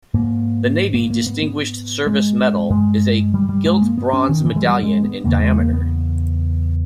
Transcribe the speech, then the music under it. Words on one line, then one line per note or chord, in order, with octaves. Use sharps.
The Navy Distinguished Service Medal is a gilt bronze medallion in diameter.
G#2 A#3
A#3
A#3
B3
B3
G#3
G2 G#3
G3
G3
G#3
A#3
B3
C#4
D#3
E3
G#3
G3
G#3
B3
E2 C#3 A#3
G#3
A#3
B3